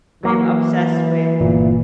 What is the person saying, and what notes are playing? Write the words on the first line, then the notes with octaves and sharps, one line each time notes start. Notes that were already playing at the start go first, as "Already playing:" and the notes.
I am obsessed with
E3 F#3 A#3
G1 A#2